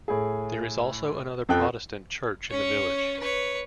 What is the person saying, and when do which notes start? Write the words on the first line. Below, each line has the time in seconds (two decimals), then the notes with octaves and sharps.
There is also another Protestant church in the village.
0.08 A2 G#4
1.49 F2 A4 G5 F#6
2.50 C#4 C#5
3.20 B4 C#5